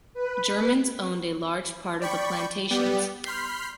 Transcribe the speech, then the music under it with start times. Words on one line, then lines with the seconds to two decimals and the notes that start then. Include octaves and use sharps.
Germans owned a large part of the plantations.
0.14 B4
2.02 D5 G5 B5 C#6
2.71 G3 B3 G4 D5
3.25 B5 C6 F6 G6 B6 C7